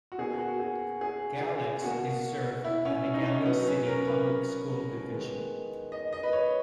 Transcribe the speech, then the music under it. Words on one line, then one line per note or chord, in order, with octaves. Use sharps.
Galax is served by the Galax City Public School Division.
F#4
B2 A#3 G#4
F#4
G#4
G#4
G#4
B2 A#3 F#4
E4
C#4
D#4
C#4
B2 F#3 B3
C#4
A#4
B4
D#3 G#3 B3
D#5
D#5
B4
C#5